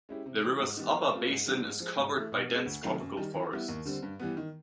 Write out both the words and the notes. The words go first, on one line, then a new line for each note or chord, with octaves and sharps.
The river's upper basin is covered by dense tropical forests.
G#3 C#4 E4 G4
C3
E3 G3
G#2
D#3 G3 B3
F3
A3 C4 F4
G#2
E3 G3 B3 D4
G#2
F3 G#3
G#2
E3 A3
B2
G#3 C4
D2
C3 D#3 F#3 A3
F#2
D#3 G3
E3
G3 B3 E4
D#2
D3 G3 C4
G2
E3 G3 B3
D#3